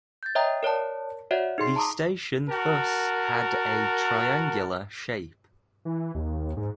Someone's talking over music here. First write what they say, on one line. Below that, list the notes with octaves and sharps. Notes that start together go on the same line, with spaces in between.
The station thus had a triangular shape.
G6 A6
C#5 D#5 E5 G5 A#5 D#6
A#4 C#5 D5 A5
F#4 C#5 D5 E5 F#5
D#4 G#4 C6 C7
A5 A#5 D6 D#6
F#4 A#4 A5
E3
D#2
G#2